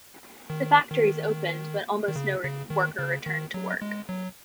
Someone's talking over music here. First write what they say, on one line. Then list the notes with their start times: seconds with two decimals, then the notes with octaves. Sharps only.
The factories opened but almost no worker returned to work.
0.50 D#3
0.91 D#3
2.08 D#3
2.16 C#3
2.43 C#3
2.70 D#3
2.99 C#3
3.26 D#3
3.54 F#3
3.82 G#3
4.09 F#3